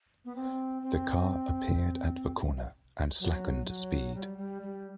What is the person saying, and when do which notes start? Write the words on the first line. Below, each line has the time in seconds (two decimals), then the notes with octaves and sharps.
The car appeared at the corner and slackened speed.
0.25 B3
0.36 C4
0.82 C4
3.20 F#3
3.67 F#3
4.15 G3
4.38 G3
4.62 G3